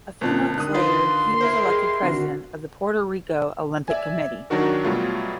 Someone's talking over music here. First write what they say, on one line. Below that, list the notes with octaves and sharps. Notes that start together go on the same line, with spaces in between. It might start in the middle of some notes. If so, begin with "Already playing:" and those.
A few months later he was elected president of the Puerto Rico Olympic Committee.
G1 A#2 C4 A5 F#6
D3 D#3 D#6 F#6
D#4 F4 B4 C6
E4 A#4 C5
G4 G#4 D#5
D3 F#4
D5 E5 G#5
D#3 F#3 D4 D#4 F#4 A#4
B2 F#3 G3 A3 F4